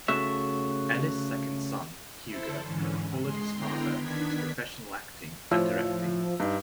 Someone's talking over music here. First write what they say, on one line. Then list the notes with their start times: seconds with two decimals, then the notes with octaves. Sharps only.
Ellis's second son, Hugo, followed his father into professional acting and directing.
0.08 C#3 A3 F#4 E5
2.26 E4 A4 C5
2.62 G#2 D3 E3 C#4
3.20 G#3 C6
3.53 D3 B3 E4 G5 A#5 C6
3.98 D#3 B3 D4 G#6 B6
5.51 A2 F3 C#5 E6
6.40 G2 D#4